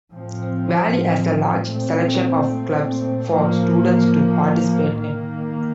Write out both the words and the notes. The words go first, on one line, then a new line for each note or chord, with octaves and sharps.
Valley has a large selection of clubs for students to participate in.
A2 F3 C4
A#2 A3 C4
A2 F3 A#3
D#3 A#3